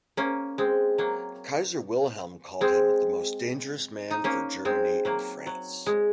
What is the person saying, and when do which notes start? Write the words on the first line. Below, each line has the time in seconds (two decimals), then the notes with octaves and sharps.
Kaiser Wilhelm called him "The most dangerous man for Germany in France".
0.17 A#3 C#4
0.58 G#3 C4
0.98 F#3 A#3
2.61 G#3 C4
4.11 D#4
4.24 A#3 C#4
4.65 G#3 C4
5.05 F#3 A#3
5.46 F#3
5.86 G#3